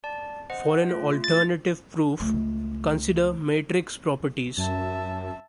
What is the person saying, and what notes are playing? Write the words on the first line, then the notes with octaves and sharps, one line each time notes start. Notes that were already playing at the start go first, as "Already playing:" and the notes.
For an alternative proof, consider matrix properties.
D5 A5
C5 D#5 F#5
A3 F4
A6
C#2 A3
F#2 E5 A5